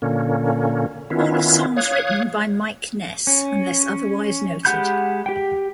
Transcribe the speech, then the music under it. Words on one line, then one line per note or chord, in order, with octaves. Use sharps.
All songs written by Mike Ness unless otherwise noted.
A#2 D3 A#3 C#4
D#3 B3 C#4 E4 F4
C#5 F5 D#6 F#6 G#6
C#4
G#3 G4 F#5 B5 G6
G4 G5